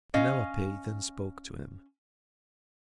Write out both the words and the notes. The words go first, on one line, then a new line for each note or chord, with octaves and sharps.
Penelope then spoke to him.
C#4 D#5 F5